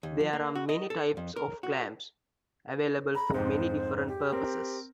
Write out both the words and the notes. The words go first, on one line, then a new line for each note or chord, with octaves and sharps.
There are many types of clamps available for many different purposes.
D#2
F3
A#3
F#4
D#5
A4
F2
A#4
F#4
A#5 B5
F2 G#2 C5
G4
C4 A#4